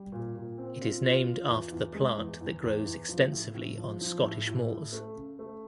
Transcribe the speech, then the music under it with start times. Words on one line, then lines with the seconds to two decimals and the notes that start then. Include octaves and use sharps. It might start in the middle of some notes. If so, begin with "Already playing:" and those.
It is named after the plant that grows extensively on Scottish moors.
Already playing: G3
0.12 A#2
0.35 A#2
0.58 C4
0.81 F4
1.03 F4
1.26 F4
1.49 E2
1.72 E2
1.95 G#3
2.18 E2
2.41 E2
2.64 E2
2.86 E2
3.09 F3
3.32 A2
3.55 A2
3.78 F3
4.01 F3
4.23 A2
4.47 A2
4.70 A2
4.93 A3
5.15 C#3
5.39 A3